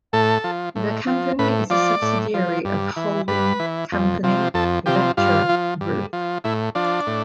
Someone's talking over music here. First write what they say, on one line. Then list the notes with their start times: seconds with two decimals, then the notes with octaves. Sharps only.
The company is a subsidiary of holding company Vector Group.
0.13 A2 A4
0.44 F3
0.76 A2
1.07 F3
1.39 A2 B4
1.70 F3 D5
2.02 A2
2.34 F3
2.65 G2
2.96 E3
3.28 G2 B4
3.60 E3
3.92 F2
4.23 C3 F3
4.54 F2 A4
4.86 C3 F3 G4
5.17 G2 F4
5.49 F3
5.81 G2
6.13 F3
6.44 A2 E4
6.75 F3 D4
7.07 A2